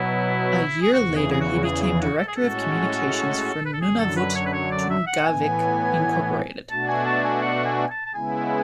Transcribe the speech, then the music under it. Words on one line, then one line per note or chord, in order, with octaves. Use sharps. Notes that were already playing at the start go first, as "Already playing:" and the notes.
A year later, he became director of communications for Nunavut Tunngavik Incorporated.
Already playing: B2 F#3 B3 E4
G#4
E2 C#3 E3 F#4
G#4
G#4
F#4
G#4
G#4
F#4
A4
G#4
A2 G#3 C#4 F#4 A4
B4
A4
F#2 D3 F#3 G#4
A4
B4
C#5
B4
C#5
D5
E5
F#5
A2 E3 B3 G#5
B2 A3 D4 F#4 A5
G#5
A5
G#5
F#5
G#5
A5
A5
C#3 G#3 B3 E4 G#5